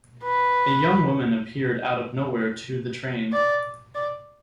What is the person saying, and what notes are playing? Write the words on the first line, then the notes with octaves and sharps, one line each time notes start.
A young woman appeared out of nowhere to the train.
B4
D5
D5